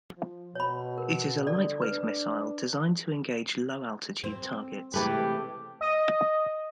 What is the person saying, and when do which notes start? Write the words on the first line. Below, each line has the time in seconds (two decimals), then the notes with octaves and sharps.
It is a light weight missile designed to engage low altitude targets.
0.17 F3
0.55 B2 C#5 B5
0.98 A#4
1.47 D3 A4 D5
1.82 D4 B4
4.24 C4
4.94 C3 E3 G#3 A3 G4 B4
5.81 D#5